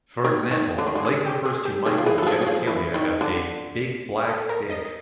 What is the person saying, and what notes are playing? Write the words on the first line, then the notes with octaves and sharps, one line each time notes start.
For example, Lake refers to Michaels' genitalia as a "big black dick".
D#3 A#4
D#3
D3
D#3
D3
G#4
G4
G#4
G4
D#3 G#4
F3
E3 G#4
A4
F#3
F3 G#4
F#3
F3 G#4
E3
D#3
D3
A4
A#4
D#5